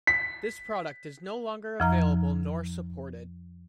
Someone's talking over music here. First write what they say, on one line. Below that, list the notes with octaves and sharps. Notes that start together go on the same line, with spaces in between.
This product is no longer available nor supported.
B6
F2 F3 A#5